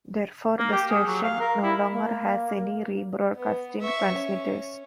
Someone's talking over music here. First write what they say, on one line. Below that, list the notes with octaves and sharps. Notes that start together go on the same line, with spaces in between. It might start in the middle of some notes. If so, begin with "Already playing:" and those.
Therefore, the station no longer has any rebroadcasting transmitters.
A#3
G4
G#4
F#3
F5
A#4
E4
A#3
B3
E5 C#6
C#4